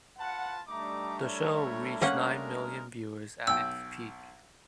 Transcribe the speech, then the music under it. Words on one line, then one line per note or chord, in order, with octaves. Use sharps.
The show reached nine million viewers at its peak.
F4 B4 F#5 A5
G3 A3 D4 D#4 A#5 D6
E4 A#4 C#5
G#3 A#3 C#4 A#4 F#5
B1 G5 E6